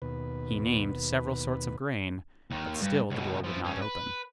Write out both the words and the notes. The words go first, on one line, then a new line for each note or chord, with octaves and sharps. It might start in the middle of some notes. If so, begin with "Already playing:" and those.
He named several sorts of grain, but still the door would not open.
D#2 B2 B4
D#2 D#3
G2
C#2 B2
F3 E4
G2 C#4
B4